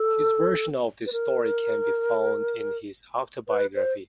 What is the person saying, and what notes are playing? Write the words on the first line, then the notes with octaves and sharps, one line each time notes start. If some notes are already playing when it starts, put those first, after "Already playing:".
His version of the story can be found in his autobiography.
Already playing: A4
B4
A#4
B4
C5